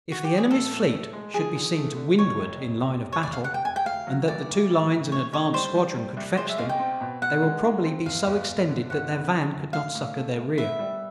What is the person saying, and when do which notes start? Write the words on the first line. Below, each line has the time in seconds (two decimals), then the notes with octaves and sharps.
If the Enemy's Fleet should be seen to windward in line of battle, and that the two lines and advanced squadron could fetch them, they will probably be so extended that their van could not succour their rear.
0.12 F#4
0.24 G4
0.37 G#4
0.50 A2 A4
0.71 A2
0.92 A2
1.13 G#3
1.34 F3 G#4
1.55 D3
1.76 A3
1.96 D3
2.18 F2 C#5
2.39 F1
2.59 F1
2.81 C3
3.02 F1
3.12 C#5
3.23 F1 D5
3.33 F5
3.44 C3 F#5
3.54 G5
3.65 F1 G#5
3.76 G5
3.85 D2 F5
4.07 F#3
4.28 D2 D5
4.49 D2
4.70 A2
4.91 A2
5.12 A2 C#5
5.33 B1 C#5
5.54 G3 C5
5.75 G3
5.96 G3
6.17 C2
6.37 G#3 C5
6.49 E5
6.58 B1 F5
6.69 G5
6.79 C4
7.01 B2
7.22 B2 F#5
7.42 G#3
7.64 G#3
7.85 C4
8.06 G1 F5
8.27 G1
8.48 G1
8.68 D3
8.90 G1 F#5
9.11 C#3
9.31 F#3
9.53 F#2
9.73 A2 F5
9.95 A2
10.16 A3
10.37 A2
10.57 B3 E5
10.79 G3